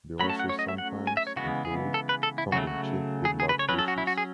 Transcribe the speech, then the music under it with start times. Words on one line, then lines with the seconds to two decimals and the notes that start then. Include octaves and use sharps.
They also sometimes include tongue in cheek good luck wishes.
0.20 F#3 A3 C#4 B5
0.30 A5
0.39 F#5
0.49 C#5
0.59 D#5
0.68 E5
0.78 F#5
1.07 G#5
1.17 E5
1.27 C#5
1.36 C#3 E3 G#3 B3 F#4
1.65 G#4
1.94 A4
2.09 B4
2.23 A4
2.38 E4
2.52 C#3 F#3 A3 F#4
2.67 F#4
3.25 G#4
3.40 G#4
3.49 B4
3.59 C#5
3.69 F#3 C#4 B4
3.79 A4
3.88 F#4
3.98 E4
4.07 F#4
4.18 G#4